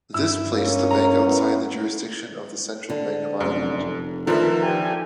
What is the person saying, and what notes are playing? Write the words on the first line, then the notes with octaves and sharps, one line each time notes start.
This placed the bank outside the jurisdiction of the Central Bank of Ireland.
G2 E4 E6
A#3 C#4
A#5
B3 E4
D3
F1 F#2
D3 D#3 F3 F4 A#4 B4 E5
G4 G#5